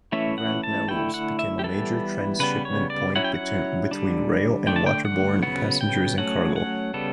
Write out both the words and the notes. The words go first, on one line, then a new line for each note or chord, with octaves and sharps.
Grand Narrows became a major transshipment point between rail and waterborne passengers and cargo.
E3 A3 C#4 E4 E5
F#5
A5
D3 A3 E4 G5
F#5
E5
G4
E3 G3 B3 A4
C#3 G3 B3 B4
C#5
D5
F#3 C#4 E4 F#5
G5
F#5
D3 G3 D4
D3 A3 D4 G5
A5
G5
F#5
C#3 F#3 B3 F#5
G5
F#3 A3 C#4 F#5
F#5
C#3 G3 B3 A4